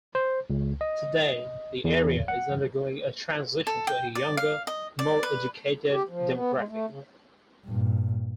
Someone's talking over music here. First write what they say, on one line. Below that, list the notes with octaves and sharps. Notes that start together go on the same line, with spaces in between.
Today the area is undergoing a transition to a younger, more educated demographic.
C5
C#2
D#5
E2
F#5
A4
G5
D5
F5
D#5
D5
B4
G4
F3
B3
G#3
A3
C#3
G2 A#2